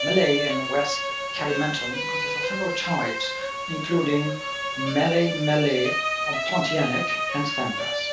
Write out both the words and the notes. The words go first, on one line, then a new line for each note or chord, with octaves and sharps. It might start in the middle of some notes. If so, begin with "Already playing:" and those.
Malay in West Kalimantan consists of several types, including Malay Malay Pontianak and Sambas.
Already playing: D5
C#5
C5
B4
C5
C#5
C#5
D5
D#5
E5
D#5
C#5
D5